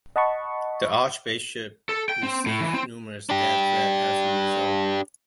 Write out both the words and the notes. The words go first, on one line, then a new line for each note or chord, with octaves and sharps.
The Archbishop received numerous death threats as a result.
D#5 F#5 A5 B5 C#6
A4
G5
C4
A2
E3
C4
D4 G4